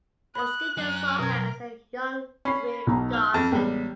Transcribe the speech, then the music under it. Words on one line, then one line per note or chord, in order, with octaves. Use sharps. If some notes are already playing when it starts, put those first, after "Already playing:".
The studio saw her as a "young Greer Garson".
B5 D#6 F#6
F#2 C#4
B2 A#4 G#6
C#4 B5 C7
B1 D#4 A#5
F6
F2
A1 G3 G#3 B3